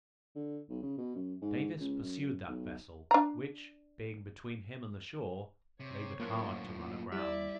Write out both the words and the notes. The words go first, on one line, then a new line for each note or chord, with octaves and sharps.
Davis pursued that vessel, which, being between him and the shore, labored hard to run aground.
D3
B1
C#3
B2
F#2
G#2
C#2
F#2
B1
D4 A#5
C3 C5 C#5
F#2 A2 A#3 F4 F#5
G3 E4 D5 E5